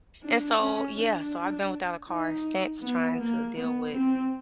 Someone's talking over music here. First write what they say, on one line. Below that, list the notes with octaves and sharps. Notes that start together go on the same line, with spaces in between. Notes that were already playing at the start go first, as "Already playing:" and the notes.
and so yeah, so I've been without a car since, trying to deal with
D4
C#4
D4
D#4
B3
A#3
B3
C4